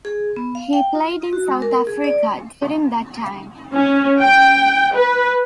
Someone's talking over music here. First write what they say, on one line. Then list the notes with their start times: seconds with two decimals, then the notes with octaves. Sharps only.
He played in South Africa during that time.
0.05 G#4
0.36 B3
0.55 F5
0.73 G5
0.95 F4
1.33 F#4
1.48 G#3
1.62 A#4
1.87 G#4
2.04 D5
3.74 C#4
4.20 G5
4.95 B4